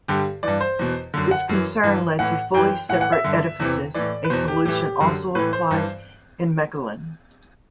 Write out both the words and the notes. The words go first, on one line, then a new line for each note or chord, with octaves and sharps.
This concern led to fully separate edifices, a solution also applied in Mechelen.
G2 D3 G4
G2 E3 D5
C5
E2 B2
F#2 D3
F#5
F#2 E3
G2 E3
A2 E3 F#5
F#2 E3 G5
A2 E3 F#5
F#5
E5
G2 D3
E2 C3 E3
A2 E3 D5
B4
E2 B2 C5
G4
A2 E3 G4
F#2 D3
A2 E3 B4
C5
G2 E3